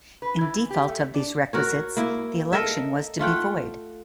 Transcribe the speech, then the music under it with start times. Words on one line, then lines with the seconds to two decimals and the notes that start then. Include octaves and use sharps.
In default of these requisites the election was to be void.
0.22 B4
0.41 E3
0.70 G4
0.88 A3
1.14 D4
1.53 F#4 A#4 C#5
1.97 A#3 E4
2.53 A4 A#4 D#5 E5
3.19 A3 F4 F#5 G5